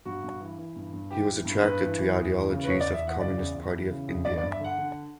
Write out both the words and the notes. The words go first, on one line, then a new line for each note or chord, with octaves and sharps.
He was attracted to ideologies of Communist Party of India.
G2 F#4
G2
E3
E3
G2
G2
E3 G4
E3
G2
G2 B4
E3
E3
E2
E3
C#3
B4
E2 C#5
D5
E2
E5
E3 F#5
C#3 D5
E2
E2
E3
C#3
E2
G2 D5
D5
G2
E5
D3 F#5
D3